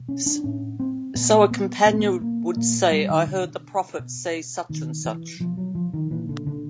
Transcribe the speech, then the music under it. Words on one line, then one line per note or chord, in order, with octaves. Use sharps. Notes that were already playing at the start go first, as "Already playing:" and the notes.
So a companion would say, I heard the Prophet say such and such.
Already playing: B2
C#4
D4
A2 C#4
C4
A#2 B3
B3
A#2 B3
C4
B3
A#3
A#2 A#3
G3
D#3
B2 D3
B2
B2 D#3
E3
B2 F3
F#3
F3
D#3
A#2 E3
D3
D3